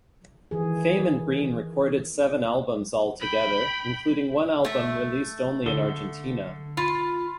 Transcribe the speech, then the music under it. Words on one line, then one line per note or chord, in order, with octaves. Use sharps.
Fame and Greene recorded seven albums altogether, including one album released only in Argentina.
D#3 E3 G#4
G5 B5
A3 E5
D3 G7
F4 B5